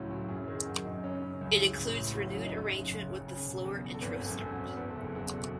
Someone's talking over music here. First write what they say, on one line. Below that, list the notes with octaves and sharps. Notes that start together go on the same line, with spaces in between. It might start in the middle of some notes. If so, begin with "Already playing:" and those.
It includes renewed arrangement with the slower intro start.
Already playing: C#2 A2 F#3 C#4 E4
F#3
F#2 G#4
D#3 G#4
F#2 F#4
F#2 D#4
C#3 C#4
C#3
C#2
E3
A1
A2
F#3
C#4
D#4
F#1 C#4
F#1
F#1
F#1
C#3
E1
E2
E2
A4
G#1 B4
F#2
A4
F#2
F#4
G#1
E2 B4
F#1 A4
G#4
E2 A4
B2